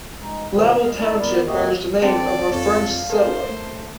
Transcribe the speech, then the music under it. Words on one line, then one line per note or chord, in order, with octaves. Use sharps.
Lavell Township bears the name of a French settler.
G#3 D#4
E2 B2 D#3 F3 C4
D2 G#2 B3 D#5 F5
D#4 E4 A4 D5 D#5
B3 E4 A#4 D5
F2 A3 A#3 F#4 G4 D#5
D3 C4 D5 G5
F2 A4 C#5 F5
A4 A#4 C5 D#5
A3